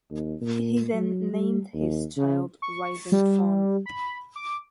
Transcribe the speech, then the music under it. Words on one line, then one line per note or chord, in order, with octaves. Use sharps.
He then named his child Rising Fawn.
D#2
A#2
F#3
G3
D#2
C#3
C#6
G3
B5
D6